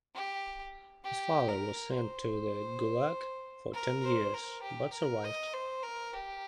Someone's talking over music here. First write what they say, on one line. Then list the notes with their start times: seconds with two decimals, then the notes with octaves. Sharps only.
His father was sent to the Gulag for ten years but survived.
0.15 G4
1.04 G4
1.49 A#4
1.94 C5
3.74 A#4
4.04 C5
4.34 A#4
4.63 G4
4.93 A#4
5.24 D#5
5.54 C5
5.83 A#4
6.13 G4